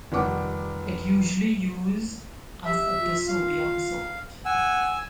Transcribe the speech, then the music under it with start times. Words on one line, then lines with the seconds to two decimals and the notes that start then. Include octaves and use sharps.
It usually used as a disodium salt.
0.12 F1 D#3 G3 F#5 D6
2.65 G4 E5
3.00 F4
3.28 F5
4.45 F#5 G#5 E6